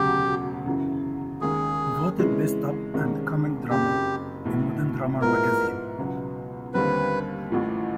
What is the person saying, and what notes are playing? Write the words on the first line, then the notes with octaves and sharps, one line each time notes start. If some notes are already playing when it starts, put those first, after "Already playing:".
Voted best Up and Coming drummer in Modern Drummer magazine.
Already playing: E1 D2 C#3 F#3 G4
F#2 C#3 E3
D#2 D#3 G#3 C#4 G#4
F2 C#3 E3 G#3 C#4
C2 C3 D#3 G#3 C#4
F#1 F2 C#3 G4
B1 A2 E3
G#2 F3 G#3 B3 E4 A#4
C#2 B2 F#3 B3
D#2 D3 G3 C4 B4
A1 A2 F3